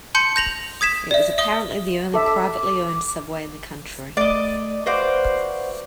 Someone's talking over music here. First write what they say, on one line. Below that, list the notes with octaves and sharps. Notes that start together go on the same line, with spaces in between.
It was apparently the only privately owned subway in the country.
A5 C6 G6 C#7
G6 A#6 F7 F#7
D#6 G#6 B6 E7
D5 E5
E5 D#6 G7
A4 E5 D6
A3 D5 D#5
F#4 B4 C5 D5 E5 F5